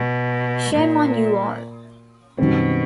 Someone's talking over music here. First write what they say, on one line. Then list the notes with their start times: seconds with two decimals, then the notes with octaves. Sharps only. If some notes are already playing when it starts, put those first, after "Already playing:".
Shame on you all.
Already playing: B2
0.75 A#2
2.38 F#2 B2 D#3 G3 C4